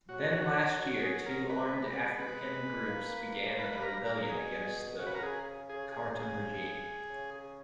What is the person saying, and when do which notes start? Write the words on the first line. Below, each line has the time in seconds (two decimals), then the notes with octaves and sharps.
Then, last year, two armed African groups began a rebellion against the Khartoum regime.
0.09 F#3 F#4
0.18 G#3
0.29 F#3
0.79 F#4
1.02 G#4
1.26 A#4
1.49 G#3 B4
1.84 B4
2.19 B4
2.89 A#3
3.59 B4
3.72 B4
3.82 A#4
4.05 A#4
4.29 B2 G#4
4.99 C#3 F#4
5.06 B4
5.15 A#4
5.23 G#4
5.69 C#3 G#4
5.92 G#4
6.16 G#4
7.09 C#3